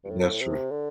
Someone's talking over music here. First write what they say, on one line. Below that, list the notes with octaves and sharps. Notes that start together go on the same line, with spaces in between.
That's true.
G2
A2
C3
D3